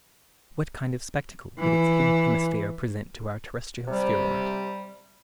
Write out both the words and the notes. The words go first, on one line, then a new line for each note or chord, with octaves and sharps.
What kind of spectacle would its hidden hemisphere present to our terrestrial spheroid?
E3
C3 G3